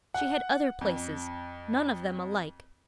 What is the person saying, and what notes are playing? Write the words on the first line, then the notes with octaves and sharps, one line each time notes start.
She had other places, none of them alike.
F#5
F2